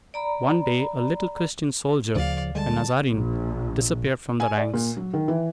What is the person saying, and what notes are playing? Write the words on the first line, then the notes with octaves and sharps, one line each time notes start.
One day a little Christian soldier--a Nazarene--disappeared from the ranks.
D5 A#5 B5
D2 C#3 F3 D5 F5
D3 G3 G#3 A5
A#1
G#5
D5
A#2
F#3
D#3
E3